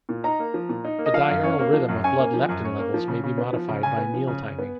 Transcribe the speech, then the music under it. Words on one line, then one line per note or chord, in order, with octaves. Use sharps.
The diurnal rhythm of blood leptin levels may be modified by meal-timing.
A#2
D#4 A#5
A#3
F3
A#2
D#4
A#3
D#5
F3 F5
F#2
C#4
A#3
F3
F#2
C#4 G#5
A#3
F3
F#2
C#4
A#3
F3
C#3
C#3
B3
F3
C#3
C#3 G#5
B3
F3
C#3
C#3
B3